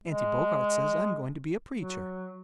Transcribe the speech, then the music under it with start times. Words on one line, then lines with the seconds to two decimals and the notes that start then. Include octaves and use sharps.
Auntie Bogart says I'm going to be a preacher.
0.04 G#3
1.74 F#3